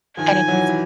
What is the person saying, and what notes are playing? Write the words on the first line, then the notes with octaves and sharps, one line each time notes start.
and it was
D#3 F3 G#5
E3 F#3
E3